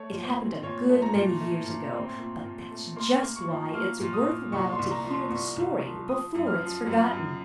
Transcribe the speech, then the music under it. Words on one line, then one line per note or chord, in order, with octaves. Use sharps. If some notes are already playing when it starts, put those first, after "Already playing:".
It happened a good many years ago, but that's just why it's worth while to hear the story before it is forgotten.
Already playing: A3 C#5
A#2
C5
C4
A#2 C#5
A3
A#5
A#2
A3
A#2
C4
A#2
A#2
A3
A#3 C6
A#3
C#6
F3
A#3 F6
A#2
D#6
A#2
C2 C#6
C6
C2
A#5
F3
C6
C2 C#6
C2
F3
F3 D#6
F#2
F6
F3
F#2
F#2